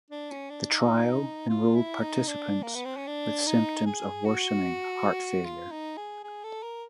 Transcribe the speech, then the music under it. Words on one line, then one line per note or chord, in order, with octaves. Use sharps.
The trial enrolled participants with symptoms of worsening heart failure.
D4
C#4
D4
D#4
F4
E4
D#4
D4
A#3
B3
C4
C#4
D4
D#4
G#4
F#4
F4
D#4
G#4
G#4
A4
A#4